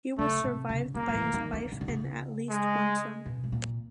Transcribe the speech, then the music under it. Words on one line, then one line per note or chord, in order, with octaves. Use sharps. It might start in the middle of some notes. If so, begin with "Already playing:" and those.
He was survived by his wife and at least one son.
C#3 A3
C3
C#3
D3 A#3
D#3
E3
D#3
D3
C#3
D3
C#3
G#3
B2
A2
A#2